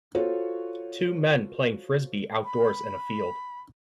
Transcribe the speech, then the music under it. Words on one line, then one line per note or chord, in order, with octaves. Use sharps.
Two men playing frisbee outdoors in a field.
F4 F#4 A4 C5 C#5
B5